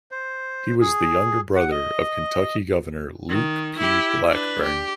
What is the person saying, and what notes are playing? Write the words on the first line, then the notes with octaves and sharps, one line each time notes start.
He was the younger brother of Kentucky governor Luke P. Blackburn.
C5
G#4
F#5
D#5
D#3
E4 G4
D4 B4
G4